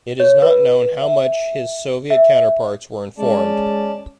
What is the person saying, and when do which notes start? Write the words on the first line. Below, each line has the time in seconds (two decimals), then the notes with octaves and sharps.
It's not known how much his Soviet counterparts were informed.
0.20 C#5
0.42 B4
1.02 E5
2.10 E5
3.18 G#3 C#4 D5 A5